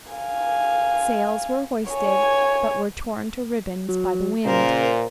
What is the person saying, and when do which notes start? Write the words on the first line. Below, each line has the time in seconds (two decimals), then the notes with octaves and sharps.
Sails were hoisted, but were torn to ribbons by the wind.
0.12 F5 G#5
1.91 C#5 G#5
3.88 F#3
4.45 A#2 C#3 A#4 C5